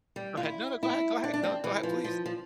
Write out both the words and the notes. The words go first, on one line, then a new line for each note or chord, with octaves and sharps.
go ahead. No, no, go ahead, go ahead. No, go ahead, please.
G3
F4
E4
E4
D4
D4
C4
E3
F3
F3
F3